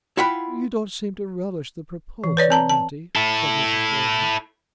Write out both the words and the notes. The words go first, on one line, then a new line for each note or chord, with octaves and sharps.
"You don't seem to relish the proposal, Letty," said Mrs. Wardour.
E4 F4 F#5 G5 B5
E3
B4 C#5 D5
C4 A5 A#5
A5
E4 A4